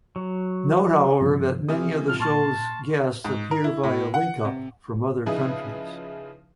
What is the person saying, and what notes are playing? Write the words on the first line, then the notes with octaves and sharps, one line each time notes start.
Note however that many of the show's guests appear via link-up from other countries.
F#3
G2 C3 F3
C3 E3 D#6 F6
C3 F3 G3 F6
A#2 A5 C6 C#6 F6
G#2
A#4
E4
A2
F#5
C3
C#3 F3 D#4 E4 G#4 B4